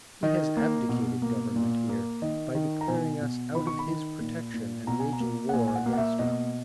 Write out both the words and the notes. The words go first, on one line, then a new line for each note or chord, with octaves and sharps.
He has abdicated Government here, by declaring us out of his Protection and waging War against us.
D#3 D#5
A#3
B2
A#3
A#2
A#3
D#3 D#5
D#3
A#5
B2 G#5
B2
D#3 B5
C#6
B5
D#3
A#2
A#2
B2 A#5
G#5
A#5
A#3
F#5
A#2 G#5
G#5
F#5
A#3
F#5
E5
B2 D#5